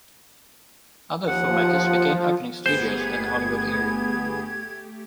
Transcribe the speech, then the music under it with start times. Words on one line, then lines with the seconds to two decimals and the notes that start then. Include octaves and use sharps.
Other filmmakers began opening studios in the Hollywood area.
1.27 D#2 F3 F#5
2.66 G1 A3 B3 G4 G#4 C5 G#6